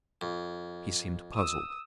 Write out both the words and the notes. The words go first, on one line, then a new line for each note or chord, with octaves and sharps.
He seemed puzzled.
F2
D#6 E6